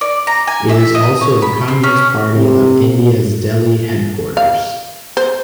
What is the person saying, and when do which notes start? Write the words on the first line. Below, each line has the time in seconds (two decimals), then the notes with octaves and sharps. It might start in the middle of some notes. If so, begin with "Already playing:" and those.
It is also the Communist Party of India's Delhi headquarters.
0.01 D5
0.27 A#5
0.47 G#5
0.69 E5
0.95 D#5
1.21 C#5
1.42 B5
1.68 C4
1.83 C#4
2.36 C3
4.37 F5
5.17 C5